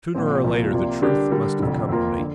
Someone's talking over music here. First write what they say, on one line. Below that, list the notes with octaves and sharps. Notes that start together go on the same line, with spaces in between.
Sooner or later the truth must have come to me.
A#1 A#2 F3 C4
C2 A#2 F3
C3 A#3 F4 D5
D3 G3 D4 G4 A#4
D3 G3 D4 A#4
F1 F2 D3
F2 F3 A#3 F4 A#4
D3